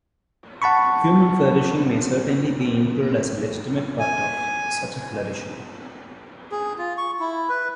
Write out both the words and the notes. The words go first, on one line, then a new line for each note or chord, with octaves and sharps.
Human flourishing may certainly be included as a legitimate part of such a flourishing.
F#5 A5 B5 C#6
G#5
G#4
F4
C#6
E4
B4